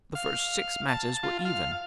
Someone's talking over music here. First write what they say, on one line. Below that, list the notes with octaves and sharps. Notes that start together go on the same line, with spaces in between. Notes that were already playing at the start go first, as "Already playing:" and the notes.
The first six matches were even.
F5
A5
F4
F5